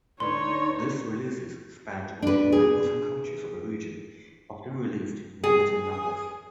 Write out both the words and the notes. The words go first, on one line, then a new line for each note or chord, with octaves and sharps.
These releases spanned multiple labels and countries of origin, often released in limited numbers.
D2 D4 D#4 B4 C#5 C6
D4 B4
G#4
G#4